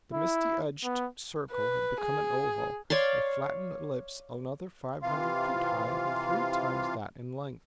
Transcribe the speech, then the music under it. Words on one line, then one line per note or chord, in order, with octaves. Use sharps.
The misty-edged circle had become an oval, a flattened ellipse another five hundred feet high and three times that in length.
E4
B3
B4
G#4
C#5 D5 F5 C6
C3 E3 F4 F5